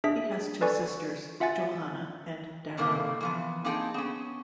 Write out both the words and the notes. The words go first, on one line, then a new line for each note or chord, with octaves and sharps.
He has two sisters, Johanna and Darrow.
D4 G#4 E5 B6
A4 B4 D5 G#5 C#6
F4 E5 F#5 G#5 A6
A2 C3 D#3 A3 A#3
E3 F3 B3
A#3 C4 D#4 G#4 A4 G5
B3 C#4